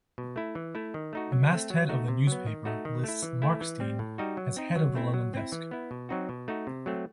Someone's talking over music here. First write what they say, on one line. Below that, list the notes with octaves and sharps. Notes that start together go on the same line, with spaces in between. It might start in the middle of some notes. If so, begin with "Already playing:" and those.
The masthead of the newspaper lists Markstein as head of the London desk.
B2
A3 E4
E3
A3 E4
D#3
A3 D#4 F#4
F#3
A3 C4
F#3
A3 D#4 F#4
C3
F#3 B3
D#3
A3 D#4 F#4
D#3
A3 E4
E3
A3 E4
E3
G3 C4
A2
G3 D#4 F#4
F#3
C4 D#4
F#3
A3 C4 E4
F#3
C4 E4
E3
B3 E4
B2
F#3 C4 D#4 F#4
B2
A3 D#4 F#4
C3
F#3 A3 C4